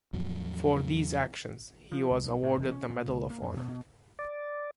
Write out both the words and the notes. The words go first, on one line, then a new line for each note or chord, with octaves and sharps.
For these actions, he was awarded the Medal of Honor.
E2 A2 F3 F#3
F3
C#2
B1
A2
E1
C#4
A#2
C#2
A#3
F2
B2
B2
D5